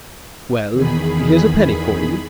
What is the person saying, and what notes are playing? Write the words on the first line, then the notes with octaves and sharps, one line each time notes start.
"Well, here's a penny for you."
E2 D#3 G#4 B5